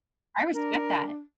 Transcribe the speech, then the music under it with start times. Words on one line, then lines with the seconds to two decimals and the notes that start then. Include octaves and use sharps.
I respect that.
0.53 D4 A#4